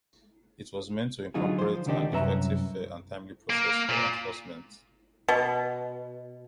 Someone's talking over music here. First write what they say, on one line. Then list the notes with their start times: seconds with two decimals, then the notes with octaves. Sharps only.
It was meant to incorporate an effective, fair and timely process for enforcement.
1.34 D3 F#3 D#4 F4 G#4
1.59 F3 C5
1.86 C#2 D3 D#3 D4 G4 D#5
2.11 C2 F#2 C#4 B4 E5 A#5
3.50 A#3
3.89 A#2
5.28 B2